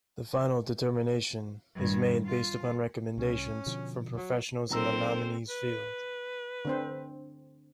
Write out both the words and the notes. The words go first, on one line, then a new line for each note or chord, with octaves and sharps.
The final determination is made based upon recommendations from professionals in the nominee's field.
G2 D#3
F4
C2 C#4
B2 D3 F3
F#3
B1 C4 A4 A#4 C5 A#5 E6
B4
D3 C4 C5